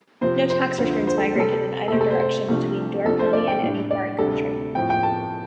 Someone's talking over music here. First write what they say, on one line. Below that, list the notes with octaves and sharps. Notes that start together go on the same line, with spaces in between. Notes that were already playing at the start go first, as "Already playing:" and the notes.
No tax returns migrated in either direction between Door County and any foreign country.
C3 F3 C4 C5
C5
D2 D3 F3
C5
C5
A4
C3 G3 C4 A4
A4
C3 A3 C4 C5
A4
C5
C5
C2 C3 F3 A3 D4
C2 C3 F3 D4 A4
C5
D5
G5
A2 G3 D4
D5
D2 C3 G3 D4 A4
A2 F3 C4 G5
G5
A5